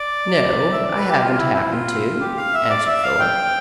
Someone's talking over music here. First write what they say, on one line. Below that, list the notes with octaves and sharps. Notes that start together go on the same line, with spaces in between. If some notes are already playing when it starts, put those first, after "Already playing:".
"No, I haven't happened to," answered Philip.
Already playing: D5
E5
D5
B4
G4
F4
E4
E4
F4
G4
F5
E5
D5
E5
F5
G5